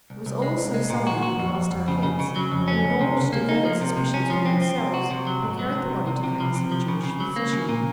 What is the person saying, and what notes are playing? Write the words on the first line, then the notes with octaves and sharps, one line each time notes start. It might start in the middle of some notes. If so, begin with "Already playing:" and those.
It was all so sudden that we lost our heads, and in order to divert suspicion from ourselves, we carried the body to the house of a Jewish physician.
C2
C2
G#3
C2
G#3
A#2
F#4
F#4
F2
F2
F2
C#3
C#3
C#3
F#3
F2
C#4
C#2
C3
C#2
A#3
D#4
F3
C3
C3
C#4
F3
C4
C4
C3
F#4
C3
F#3
G#2
F#3
C3
C2
C3
C3
F3
C3
F3
C#3
C#3
F#3
A#3
C#3
A#2